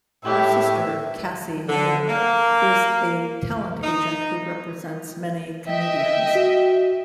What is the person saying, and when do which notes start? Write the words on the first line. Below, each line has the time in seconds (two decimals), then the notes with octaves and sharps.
Her sister Cassie Mayer is a talent agent who represents many comedians.
0.25 A2 G4 C#5 E5
1.68 D3
2.08 A#3
3.82 D#4
5.67 D#5 E5 G5
6.35 F#4